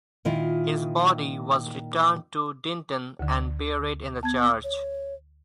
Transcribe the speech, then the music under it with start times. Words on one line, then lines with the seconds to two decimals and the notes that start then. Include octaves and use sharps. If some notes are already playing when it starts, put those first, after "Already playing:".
His body was returned to Dinton and buried in the church.
0.25 A#2 D#3 E4 F4
3.19 D2 D3
4.23 B3 A5 G#6
4.64 C#5